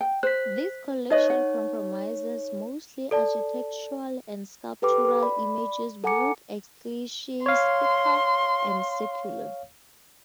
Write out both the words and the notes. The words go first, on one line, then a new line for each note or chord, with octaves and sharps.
This collection comprises mostly architectural and sculptural images both ecclesiastical and secular.
G5
C5 F#6 B6
D#4 B4 C#5 D#5
F#5
A4 D5 A5
G4 A4 B4 G5 D6
D5 B5
A4 F#5 G#5 A#5 D6 C#7
C#5 F5 C6